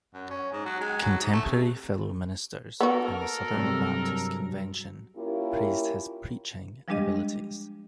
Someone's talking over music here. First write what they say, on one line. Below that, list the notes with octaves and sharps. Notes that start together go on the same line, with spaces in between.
Contemporary fellow ministers in the Southern Baptist Convention praised his preaching abilities.
F#2
C#4
G#2
F#3
G#3
F#3
G#2
A3
C3
B3 F#4 A4 A#4
G2 C3 F#3
A#3 C#4 E4 F4 G4 A#4
F3 G3 G#3 D4 G4 D#5